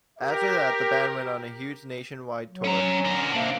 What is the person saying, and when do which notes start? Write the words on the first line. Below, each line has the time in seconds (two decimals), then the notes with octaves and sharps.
After that the band went on a huge nationwide tour.
0.20 G4 A#4
2.50 F#3
2.65 C#4 A#5
3.05 D3 A#4
3.33 C3 A#3 D4